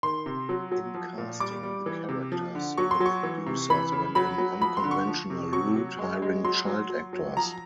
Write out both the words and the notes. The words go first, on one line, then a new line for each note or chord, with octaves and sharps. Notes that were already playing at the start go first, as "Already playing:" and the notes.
In casting the characters, the producers went an unconventional route, hiring child actors.
D#3 C6
C3
F#3
F#3
F3
A#2
G3 D6
G3
E3
C3
F3
D3
F#3 C#6
C6
F#3
C#6
E3
C3
E3 B5
C#3
F#3 B5
F#3
F3 B5
C6
D3
C#6
F3
C3
F#3 C#6
F#3
G#3
G#3
F#3 C6
F#3
F#3
F#3
F3 A#5